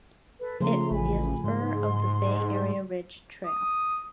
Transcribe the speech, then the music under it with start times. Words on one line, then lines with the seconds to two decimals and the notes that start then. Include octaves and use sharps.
It will be a spur of the Bay Area Ridge Trail.
0.40 A4 B4
0.60 C#3 F3 A3 A#5 C6
0.91 A1 G#5 B5
1.44 G#2 C6
3.47 D#6